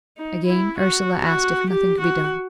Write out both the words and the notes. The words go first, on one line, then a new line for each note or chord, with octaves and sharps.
Again Ursula asked if nothing could be done.
D#4
E4
F#4
F#4
G4
F#4